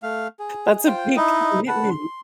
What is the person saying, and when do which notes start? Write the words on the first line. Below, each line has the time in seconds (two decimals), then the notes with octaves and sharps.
That's a big commitment.
0.03 A3 F5
0.39 G#4
0.86 F4 C5 G5
1.17 D#4 E4 D#5
1.68 B4 F#5 A5
1.90 C6